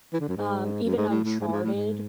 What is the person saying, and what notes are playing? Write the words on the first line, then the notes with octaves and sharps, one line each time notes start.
um, even Uncharted.
E3
D3
F#2
G#2
F#2
G#2
A2
A2
G#2
A2
G#2
A2
G#2